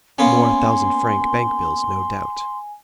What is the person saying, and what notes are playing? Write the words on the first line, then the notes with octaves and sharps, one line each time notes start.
More thousand-franc bank-bills, no doubt!
A#3 B3 C#4 G#5 C6